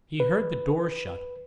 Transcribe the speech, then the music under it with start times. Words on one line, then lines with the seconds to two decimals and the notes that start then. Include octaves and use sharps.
He heard the door shut.
0.20 B4